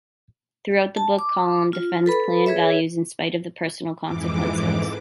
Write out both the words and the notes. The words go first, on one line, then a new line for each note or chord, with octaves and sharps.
Throughout the book Calum defends clan values in spite of the personal consequences.
A5
D6
F4
A4 B4 B5
G#4 B4 C#5 E5
F2 G#2 E3 D6